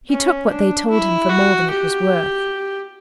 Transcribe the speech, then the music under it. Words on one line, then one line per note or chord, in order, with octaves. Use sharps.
He took what they told him for more than it was worth.
C#4
D4
E4
F#4
G4